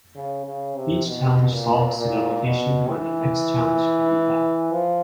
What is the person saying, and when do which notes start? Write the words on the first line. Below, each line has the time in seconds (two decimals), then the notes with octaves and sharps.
Each challenge solves to the location where the next challenge can be found.
0.15 C#3
0.45 C#3
0.76 C3
1.07 B2
1.52 A#2
1.98 A#2
2.44 B2
2.89 E3
4.72 F3